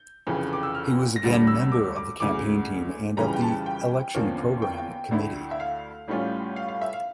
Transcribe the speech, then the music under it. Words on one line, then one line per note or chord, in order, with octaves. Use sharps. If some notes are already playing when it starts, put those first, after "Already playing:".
He was again member of the campaign team and of the election program committee.
Already playing: G6
F1 F2 C#3 E3
D6
E6
F6
A#6
E1 D2 D3 G3 A6
E6
D6
D6
D2 C#3 E3 D6
F2 C#3 E3 G3 A#5
G5
A5
G5
E2 D3 F3 A#3 C#4
G5
D2 D3 A3 E4
E5
F5
A1 A2 G3 C#4 F4
F5
F5
E5
F5